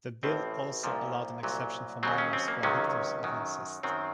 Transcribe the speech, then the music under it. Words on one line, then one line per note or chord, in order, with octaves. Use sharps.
The bill also allowed an exception for minors who are victims of incest.
A1 A2 F3 C4
C2 A#2 F3
C2 A#2 F#3
D#2 C#3 F#3 C4
C#4
C4
A#3
C#2 C3 D#3 F#3 C#4
F#2 D#3 F#3
F#2 D#3 F#3 C4